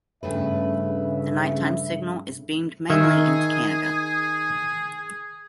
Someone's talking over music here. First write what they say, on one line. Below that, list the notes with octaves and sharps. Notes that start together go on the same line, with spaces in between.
The nighttime signal is beamed mainly into Canada.
G2 C#3 A3 B4 E5
D#3 G#4 E5